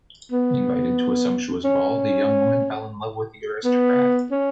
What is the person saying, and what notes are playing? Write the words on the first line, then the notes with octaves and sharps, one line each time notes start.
Invited to a sumptuous ball, the young woman fell in love with the aristocrat.
B3
C#4
B3
C#4